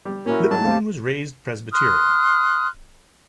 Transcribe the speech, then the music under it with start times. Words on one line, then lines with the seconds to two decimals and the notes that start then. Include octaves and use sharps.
Lippman was raised Presbyterian.
0.05 G3
0.26 A#2 C#4 E4 F#4 A#4
0.51 G#2 E3 F#3 A5
0.64 D#2 C4 G4 F5
1.72 C6 D#6 F6 F#6